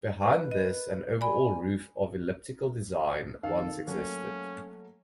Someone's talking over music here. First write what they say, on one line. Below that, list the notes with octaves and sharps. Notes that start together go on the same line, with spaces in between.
Behind this an overall roof of elliptical design once existed.
B4
D#5
D5 G#5 B5
D#3 A4 F5
F#3 A3 A#3 C#4